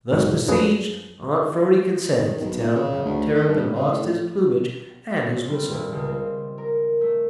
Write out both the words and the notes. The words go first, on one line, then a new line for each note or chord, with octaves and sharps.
Thus besieged, Aunt 'Phrony consented to tell how the Terrapin lost his plumage and his whistle.
B1 G#2 F#3
F#2 F3 D4 G#4 B4
D#3
B1
A#2
C#3
D2
D#3
G2
C#3
A2
A2
C4
G3
D#1
C#2
C4
A#4
A3